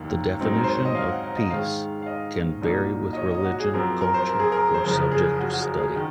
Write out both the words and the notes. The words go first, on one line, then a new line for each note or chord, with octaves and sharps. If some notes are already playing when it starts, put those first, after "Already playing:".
The definition of "peace" can vary with religion, culture, or subject of study.
Already playing: F1 D#2 D#3 A#3
G#2 F#3 C4 D#4
A#4
C5
C#5
D#5
F5
F#5
F5
D#5
G#2 D#3 G#3 F5
F5
D#5
C2 A#2 F#3 A#3 D#4
D#5
C#5
D#5
F#4
G#4
F#2 F3 C4 A#4
A#4
C5
A#4
G#4
A#4
C5
F#1 F2 C#3 F3 A#4
G#4
F#4
F#4
G#4
G#4
D#3